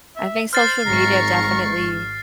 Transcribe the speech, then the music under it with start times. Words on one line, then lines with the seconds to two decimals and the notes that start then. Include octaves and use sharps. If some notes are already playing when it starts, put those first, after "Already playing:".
I think social media definitely
0.16 E5
0.53 C5 F6 A6 C7
0.86 G#1 G#2 A#5 C#6